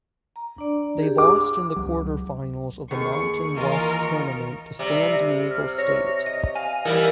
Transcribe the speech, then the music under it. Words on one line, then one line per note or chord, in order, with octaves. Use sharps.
They lost in the quarterfinals of the Mountain West Tournament to San Diego State.
A#5
D4 D5
G4 G#4
D6
C#2 F#3
D#2 G#4 C#6
E3 F4 A#4 D#5 G#5 C#6
D#3
C3 G3
F6
C#5 A#6
D#5
F5 G#5
E3 G3 D#4 A#4